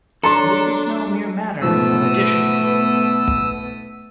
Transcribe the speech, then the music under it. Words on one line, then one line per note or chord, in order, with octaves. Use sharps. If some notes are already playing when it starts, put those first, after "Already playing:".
This is no mere matter of addition.
F#3 D4 A4 C#5 A#5 C6
G#2 B2 F3 A3 B3 D#6 E6